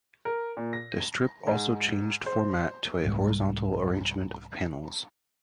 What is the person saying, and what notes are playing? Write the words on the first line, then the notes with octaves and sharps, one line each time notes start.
The strip also changed format to a horizontal arrangement of panels.
A#4
A#2
A#6
G#2
C5
C2 G#2 G3 G#3